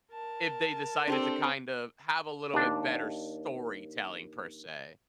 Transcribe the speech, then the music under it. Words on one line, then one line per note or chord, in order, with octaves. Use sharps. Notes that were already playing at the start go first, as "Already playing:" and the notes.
if they decided to, kind of, have a little bit better storytelling per se.
A#4 A5
C4 D4 G4 A4
D#2 D4